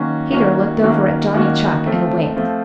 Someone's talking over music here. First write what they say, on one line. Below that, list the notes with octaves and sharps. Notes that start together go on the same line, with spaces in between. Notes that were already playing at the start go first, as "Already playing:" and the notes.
Peter looked over at Johnny Chuck and winked.
Already playing: D#3 F#3 A#3 C#4 F#4
D#3 F#3 A#3 C#4 F#4
D#3 F#3 A#3 C#4 F#4
D#3 F#3 A#3 C#4 F#4
F3 A3 C4 F4
F3 A3 C4 F4